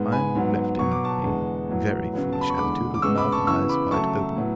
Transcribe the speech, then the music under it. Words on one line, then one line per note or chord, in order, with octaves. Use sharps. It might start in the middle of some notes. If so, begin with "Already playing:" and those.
I am left in a very foolish attitude, with mouth and eyes wide open.
Already playing: G#2 G#3 B3
G#5 B5
G#2 F#3 B3
B2 F#3 B3 C#6
D6
A5 C#6
E2 D3 G#3 B3
A2 F#3 B3
C#3 F#3 B3
A5
B5
C#6
E2 D3 G#3 B5 D6
D6
C#3 G#3 B3 C#6 E6
B5 D6
A5 C#6
C#3 E3 B3 C#6 E6
B5 D6
C#3 F#3 A3 A5 C#6
A2 F#3 B3